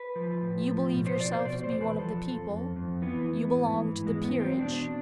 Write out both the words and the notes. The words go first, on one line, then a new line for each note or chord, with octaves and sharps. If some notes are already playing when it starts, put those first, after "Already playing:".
You believe yourself to be one of the people; you belong to the peerage.
Already playing: B4
F3
A2
F3
B2
C5
B2 D5
C5
B2 D5
C5
E2
B4
F3 A4
F2
F2
F2
E3 B3
E3
G#2
E3
E2 G#3
B3
E2
C4
B2 D4